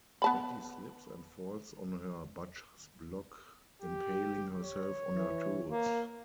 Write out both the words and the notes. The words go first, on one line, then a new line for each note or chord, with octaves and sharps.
Betty slips and falls on her butcher's block, impaling herself on her tools.
B3 A5 B5
G4
C#5
E3
A#3